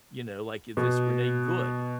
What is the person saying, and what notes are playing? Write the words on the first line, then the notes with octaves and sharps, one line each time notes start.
you know, like, if this Renee Good,
B2